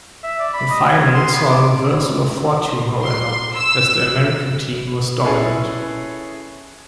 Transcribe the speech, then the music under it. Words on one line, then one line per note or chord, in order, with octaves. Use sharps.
The final saw a reversal of fortune, however, as the American team was dominant.
E5
D5
B5
D#5
G#5
C6
B3
D6
C6
E6
C#4 E4 G#4 A4 B4 C#5